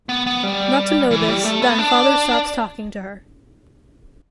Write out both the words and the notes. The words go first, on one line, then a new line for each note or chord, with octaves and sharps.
Not to know this that her father stops talking to her.
B3
B3
G3
E3
G3
A3
B3
D4